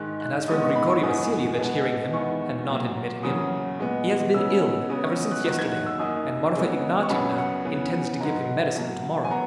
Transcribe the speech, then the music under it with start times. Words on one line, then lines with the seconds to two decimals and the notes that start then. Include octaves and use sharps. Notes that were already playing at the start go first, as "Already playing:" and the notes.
And as for Grigory Vassilyevitch hearing him and not admitting him, he has been ill ever since yesterday, and Marfa Ignatyevna intends to give him medicine to-morrow.
Already playing: G#2 D#3 G#3 F#6
0.20 F#6
0.48 G#2 D#3 G#3 B3 D#6
0.62 C#6
0.76 B5
0.90 C#6
1.03 F#2 E3 G#3 B3 D#6
1.58 B2 G#3 B3
2.13 E2 D#3 G#3 B3 C#6
2.69 A#2 F#3 A#3
3.23 E2 C#3 F#3 A#3 D#6
3.80 A#2 G#3 B3
4.34 C#3 G#3 B3 E6
4.61 E6
4.89 C#3 G#3 B3 D#6
5.03 C#6
5.17 D#6
5.31 F#6
5.44 E2 D#3 F#3 A#3 F#6
5.59 G#6
5.72 F#6
5.87 E6
5.99 F#2 D#3 A#3 D#6
6.55 C#3 G#3 B3
7.03 C#6
7.10 F#2 C#3 F#3 B3 B5
7.38 F#5
7.65 C#3 E3 B3
8.20 G#2 F#3 B3 A#5
8.76 B2 F#3 A#3
9.25 G#5
9.30 F#3 B3 A#5